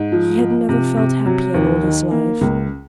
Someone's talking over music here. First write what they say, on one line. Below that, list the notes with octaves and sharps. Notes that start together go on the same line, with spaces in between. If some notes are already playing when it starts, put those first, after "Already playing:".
He had never felt happier in all his life.
Already playing: G#2
F3
F3
C3
C3
F#3
D#2
D#3
A#3
C#2